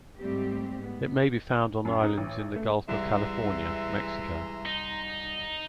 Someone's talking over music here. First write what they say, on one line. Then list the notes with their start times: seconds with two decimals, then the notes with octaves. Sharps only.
It may be found on islands in the Gulf of California, Mexico.
0.19 G#2 G3 A3 C4 G4
0.77 G#2 B3
1.85 F#2
2.03 D#4
2.18 A1
2.56 A3
2.89 C2 E3 G#3 E5 A#5 C6
4.66 D#4